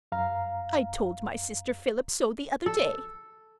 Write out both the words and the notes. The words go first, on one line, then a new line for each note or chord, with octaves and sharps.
I told my sister Phillips so the other day.
F#2 F5 A#5
A4